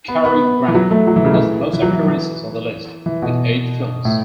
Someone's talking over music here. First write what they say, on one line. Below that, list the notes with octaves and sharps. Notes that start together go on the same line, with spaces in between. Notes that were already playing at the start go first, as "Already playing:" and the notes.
Cary Grant has the most appearances on the list, with eight films.
B3
B3
E3
F#3
A3
F#3
E3
C#3
E3
E3
F#3
E3
E3
E3
B2
A2